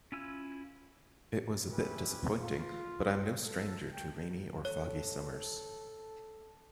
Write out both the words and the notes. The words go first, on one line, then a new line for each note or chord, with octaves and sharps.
It was a bit disappointing, but I am no stranger to rainy or foggy summers.
C#4 E4 F4 G#5 E6
C4 C#4 E4 G4 G#4 B4
F4
A4
A3 G5
A4 C#5